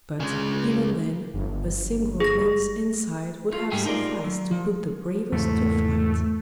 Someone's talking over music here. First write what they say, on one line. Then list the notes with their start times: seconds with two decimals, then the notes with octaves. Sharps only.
But, even then, a single glance inside would have sufficed to put the bravest to flight.
0.20 C#3 G#3
1.34 G1
2.20 G#4 A#6
3.52 A3 F4
3.71 G#2 G3 A3 G#4 G5 G#5
3.85 D#4 F4 G#4 A#4 C#5 D5
4.24 F#3
4.51 F3
5.32 E2 G#2 C#3 A3